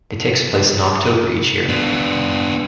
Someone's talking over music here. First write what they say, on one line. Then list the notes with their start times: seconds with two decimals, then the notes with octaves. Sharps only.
It takes place in October each year.
1.69 B3 D4